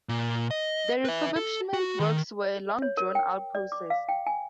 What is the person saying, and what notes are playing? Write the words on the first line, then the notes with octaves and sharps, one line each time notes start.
The refurbishment works were a long drawn out process.
A#2
D#5
B4 E5
A4
F#4
D#3
C#5
A#4
G5
D5
D6
F5
G5
G#5